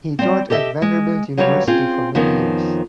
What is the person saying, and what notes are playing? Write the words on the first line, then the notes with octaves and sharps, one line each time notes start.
He taught at Vanderbilt University for many years.
G3 C4
G4 A4 D#5 E5
G#3
C#3 F#3 G3 B4 C#5
C4 C#4 F4 G#4
F2 D#3 F3 B3 C#4